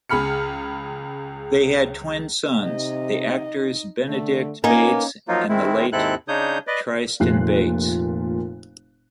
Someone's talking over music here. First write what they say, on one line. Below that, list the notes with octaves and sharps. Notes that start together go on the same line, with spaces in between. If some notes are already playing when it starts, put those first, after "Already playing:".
They had twin sons - the actors Benedick Bates and the late Tristan Bates.
C#2 G#4 B5 F6 C#7
C3 D#4 D#5
D3 A3
A#3 B3 C#4 D#4 A#4 D#5 G#5
F3 F#3 A#3 D#4 F4
D#3 G#3 C4 E4
D#2 G#2 C4 E4 A4 F#6
C#3 D4 D#4 C#5 D#6 G6
B4 D5 D#5
F1 A#2 F#6 C7